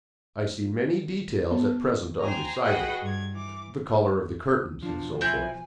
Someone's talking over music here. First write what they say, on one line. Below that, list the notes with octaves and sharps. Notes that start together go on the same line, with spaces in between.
I see many details at present undecided--the colour of the curtains, and so forth.
B3
C5 G5 G#5 A#5
F#4 G#4 B4 D#5 F#5 G5
G2 G#6
E3 D6
B2 F3 D4
C4 E4 G#5 G6